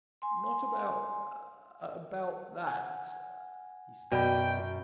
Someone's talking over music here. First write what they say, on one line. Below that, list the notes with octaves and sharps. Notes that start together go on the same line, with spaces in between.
"Not about--about that--" he stammered.
G#5 C6
F#5 G#5
F#2 B2 D5 G5 B5